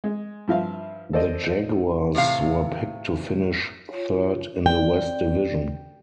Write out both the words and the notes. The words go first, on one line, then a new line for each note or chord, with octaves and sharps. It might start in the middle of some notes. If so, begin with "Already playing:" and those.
The Jaguars were picked to finish third in the West Division.
G#3
G2 F3 E5 F5
A4 C5 D5 D#5
A2 C3 F5
F4 C#5
C4 D5 G5